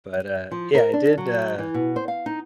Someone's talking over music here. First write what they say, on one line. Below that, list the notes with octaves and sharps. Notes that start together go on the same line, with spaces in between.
But, uh, yeah, I did, uh
F3
A#4
D4
F#3
E3
B2
C5
F5
D#4